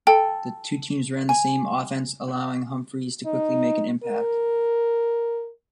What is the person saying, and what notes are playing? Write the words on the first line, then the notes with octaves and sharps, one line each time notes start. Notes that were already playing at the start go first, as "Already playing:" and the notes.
The two teams ran the same offense, allowing Humphries to quickly make an impact.
A4 G5
G#5
D#4
A#4